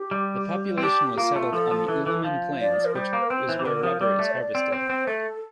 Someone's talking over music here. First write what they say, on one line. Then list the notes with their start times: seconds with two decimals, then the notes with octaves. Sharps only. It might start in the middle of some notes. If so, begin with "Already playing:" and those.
The population was settled on the Ulliman Plains, which is where rubber is harvested.
Already playing: G4
0.11 G3
0.78 C4
0.82 D4 G4
1.18 A#3 F4
1.36 A3
1.53 F3 A4
1.71 F3
1.88 E3
2.06 E3
2.24 F3
2.60 D5
2.85 A#4
2.95 G3 C5
3.13 A#3
3.22 A#4
3.30 C4 C5
3.49 E3
3.59 E3
3.65 D3 A#4
3.83 F3
4.01 G3 D5
4.19 A3
4.31 C5
4.37 D5
4.55 C4
4.72 C4 C5
4.90 C4
5.07 A3 A4